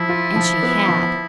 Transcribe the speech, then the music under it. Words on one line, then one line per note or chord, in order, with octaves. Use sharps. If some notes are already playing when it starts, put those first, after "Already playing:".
And she had.
Already playing: F3 E4
F4
F3
B3
F3